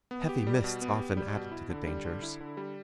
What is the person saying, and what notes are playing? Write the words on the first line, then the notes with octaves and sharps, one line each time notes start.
Heavy mists often added to the dangers.
B3
G4
G3
B2
B3
G4
G3
B2
E4
D3
G3
D3
E4
D3
G3